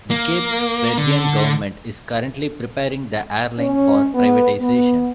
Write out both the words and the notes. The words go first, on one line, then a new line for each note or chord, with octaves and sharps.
The Cape Verdean government is currently preparing the airline for privatization.
A#3
D3
C#4
B3
B3